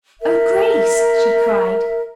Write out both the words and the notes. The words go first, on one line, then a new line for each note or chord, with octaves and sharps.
"Oh, Grace," she cried.
A#4 E5